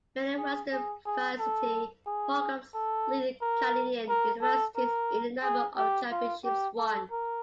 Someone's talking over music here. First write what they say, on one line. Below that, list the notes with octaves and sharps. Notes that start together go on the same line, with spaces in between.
Many Western varsity programs lead Canadian universities in the number of championships won.
G#4
G#4
G#4
A4
G#4
A4
A#4
A#4
A4
A#4
G#4
G4
F4
G4
A4
A#4